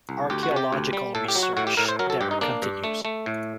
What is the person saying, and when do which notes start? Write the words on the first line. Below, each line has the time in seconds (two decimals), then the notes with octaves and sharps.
Archaeological research there continues.
0.09 C2
0.30 D2 G4
0.43 F#4
0.51 C3
0.56 G4
0.73 D2
0.93 G3
1.15 A2 A4
1.28 G4
1.35 F#3
1.43 F#4
1.57 A2 F#4
1.67 G4
1.77 A2 A#4
1.89 C5
1.99 F#3 A#4
2.10 A4
2.21 G2 G4
2.31 D#4
2.41 A#3 D4
2.62 G2
2.84 A3
3.05 A3
3.26 A2